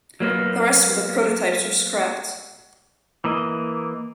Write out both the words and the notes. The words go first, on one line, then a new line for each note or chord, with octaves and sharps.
The rest of the prototypes were scrapped.
F#3 A#3 B3
E3 A#3 D#5